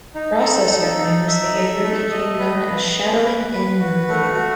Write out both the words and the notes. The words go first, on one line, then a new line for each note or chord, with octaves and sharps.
The process governing this behavior became known as shadowing in nuclei.
D#4
A4
D#4
D#4
E5
A4
A3
D#5
B4
B4
B4
B4
B4
F#4
A3
F#4